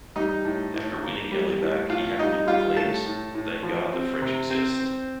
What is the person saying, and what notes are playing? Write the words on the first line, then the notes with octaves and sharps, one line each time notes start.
After winning Ellie back, he happily proclaims, Thank God the French exist.
G3 D#4 D#5
A2
A2
A#3
G3
A2
A2 F4 F5
G3 D#4 D#5
G3 F4 F5
A2 A4 A5
A2
A2
F3
C4
C3
C4 C5
C4